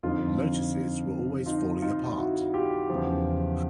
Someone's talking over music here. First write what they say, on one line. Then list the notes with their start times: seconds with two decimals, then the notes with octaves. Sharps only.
Lotuses were always falling apart...
0.03 F2 D3 F3 D#4 F4
1.46 D#4 F4
1.82 D#4 F4
2.17 E4 F#4
2.53 F4 G4
2.90 E2 C#3 F3